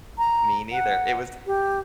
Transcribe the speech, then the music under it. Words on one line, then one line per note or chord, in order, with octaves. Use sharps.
me neither, it was
A#5
F#5
G4